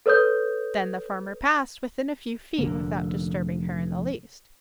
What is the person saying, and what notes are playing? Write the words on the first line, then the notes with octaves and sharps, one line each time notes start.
Then the farmer passed within a few feet without disturbing her in the least.
A4 B4 C#5 D#6 G6
F1 D3 A#3